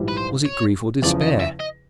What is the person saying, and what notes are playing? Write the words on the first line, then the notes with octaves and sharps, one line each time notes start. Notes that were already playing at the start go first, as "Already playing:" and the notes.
Was it grief or despair?
Already playing: A#1 G#2 E3 G3
B4
C5
C#5
E2 C#3 F3 D5
D#5
E5
D#5